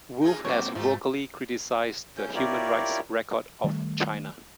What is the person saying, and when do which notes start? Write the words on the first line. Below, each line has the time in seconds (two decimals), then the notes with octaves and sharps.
Wolf has vocally criticized the human rights record of China.
0.21 D#4 F4 G#4
0.45 F#3 A#3 C4 F#4 G4 C#5
0.75 G#2 F3 A3 G4
2.17 C#4 G6
2.35 E4 F4 G4 A#4 C#5 D5
3.64 D#3 G3 A3